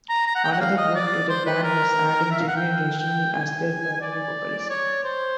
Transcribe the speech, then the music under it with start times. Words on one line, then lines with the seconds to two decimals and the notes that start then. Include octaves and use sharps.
Another boon to the band was adding Jimmy Rushing as their primary vocalist.
0.09 A#5
0.27 A#5
0.35 F#5
0.44 G5
0.52 F#5
0.60 F5
0.78 D#5
0.95 D5
1.29 C5
1.46 B4
1.63 A#4
2.31 E5
2.39 F5
2.48 F#5
2.56 G5
2.99 G5
3.33 G#5
4.01 D5
4.69 C#5
5.04 C5